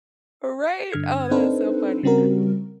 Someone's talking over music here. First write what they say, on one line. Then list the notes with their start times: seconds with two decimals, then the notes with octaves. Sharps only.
Right? Oh, that is so funny.
0.92 G2 D3 F6 G#6
1.31 C4 D4 D#4 A4 B4 C5
2.03 C#3 G3 C4 F#4 A#4